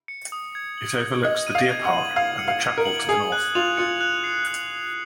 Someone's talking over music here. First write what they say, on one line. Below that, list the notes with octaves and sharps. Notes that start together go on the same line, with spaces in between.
It overlooks the Deer Park and the Chapel to the North.
C#7
D#6
G#6
F#7
C#7
D#5 G#6
D#7
F5
G#6
F#5
F#7
F5 G#6
C#7
F5
G#6
A#4
F#7
G#4 D#6
F#6
F4 F7
F4 C#7
F#6
C7
F#6
F7